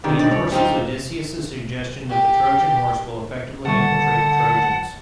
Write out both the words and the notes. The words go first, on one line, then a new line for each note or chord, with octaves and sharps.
He endorses Odysseus' suggestion that the Trojan Horse will effectively infiltrate the Trojans.
D3 D#3 D4 G4 B4
C4 D#4 D5
D#1 C#5
C4 D#4 F4 G4
G4
D3 D#3 G3 F#5 A5 C#6